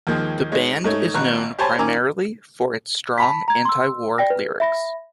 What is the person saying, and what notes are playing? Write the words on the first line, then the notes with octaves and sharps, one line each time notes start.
The band is known primarily for its strong anti-war lyrics.
D#2 D#3 F3 G#3
G#3 D#4 C#5
G#2 A3 C#5
G#1 B2 A#5 C#6 F#6
G4 C5 C#5 G#5 A5 B5
D#3 C#4 G#5 A#5 D6 E6
A5 B5 B6
A#5 G#6
C6 E6
D5 G5 A#6
B4
E5 B5 A#6